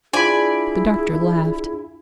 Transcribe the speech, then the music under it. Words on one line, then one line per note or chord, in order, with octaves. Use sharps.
The doctor laughed.
D4 E4 F4 G#4 D5 G#5 B5